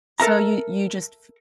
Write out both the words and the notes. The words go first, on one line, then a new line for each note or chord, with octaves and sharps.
So you you just f
A4 A#4 E5 A#5